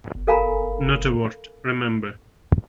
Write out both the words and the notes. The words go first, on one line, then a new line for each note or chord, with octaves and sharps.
Not a word, remember!
A4 A#4 F5 G#5 A#5 B5